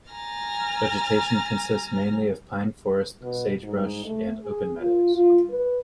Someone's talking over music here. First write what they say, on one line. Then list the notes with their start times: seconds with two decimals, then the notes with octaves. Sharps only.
Vegetation consists mainly of pine forest, sagebrush, and open meadows.
0.11 G#5 A#5 F6 A6
3.22 B2
3.63 G#2
4.05 A3
4.43 G#4
4.80 F4
5.15 F4
5.50 B4